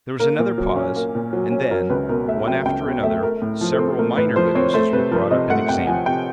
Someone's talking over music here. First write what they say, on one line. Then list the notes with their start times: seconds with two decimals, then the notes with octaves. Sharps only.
There was another pause and then, one after another, several minor witnesses were brought up and examined.
0.20 A#3 A#4
0.39 A#2
0.58 F#3
0.76 C#4
0.96 A#3
1.15 A#2
1.33 F#3
1.52 C#4
1.71 F#3 A#4
1.90 C#2 B4
2.09 B2 A#4
2.28 A3 E5
2.46 F#3 G5
2.65 C#2 G5
2.84 B2
3.03 A3 E5
3.22 A3 A#4
3.42 A2
3.61 F3
3.73 A4
3.79 C4
3.99 A3 A#4
4.17 A2 B4
4.36 F3 C5
4.55 C4 C#5
4.74 A3 C5
4.93 C3 B4
5.12 F3 A#4
5.31 C3 D#5
5.50 A3 F#5
5.69 C3 G5
5.87 F3 G#5
6.06 C3 G5